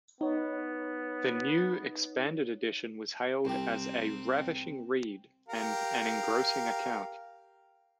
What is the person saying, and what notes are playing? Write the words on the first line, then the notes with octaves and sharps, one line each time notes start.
The new, expanded edition was hailed as 'a ravishing read' and 'an engrossing account'.
B3 D#4 C#5
C2 C4 G4
G4 A#4 F5